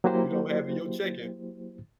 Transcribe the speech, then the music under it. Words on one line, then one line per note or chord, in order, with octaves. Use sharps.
you don't have in you're checking,
F#3 A#3 E4 F#4 G4 C5